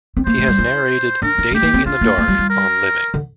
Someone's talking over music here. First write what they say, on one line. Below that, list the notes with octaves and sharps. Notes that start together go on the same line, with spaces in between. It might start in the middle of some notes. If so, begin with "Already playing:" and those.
He has narrated "Dating in the Dark" on Living.
C4
A#3 C5
A3
G3
E4
D4 A#4
E4
A3 G4
A#3
C4
D4 F4
A#3
A3
G3
G3
A#4
D3